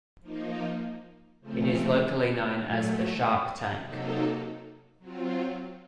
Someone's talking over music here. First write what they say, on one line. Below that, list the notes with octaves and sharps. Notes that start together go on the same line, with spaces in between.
It is locally known as "The Shark Tank".
F3 A#3 D#4
C#3 F3 A3 C4
A#2 F#3 A3
C3 F#3 A#3 D#4 A4
F#3 C4 F4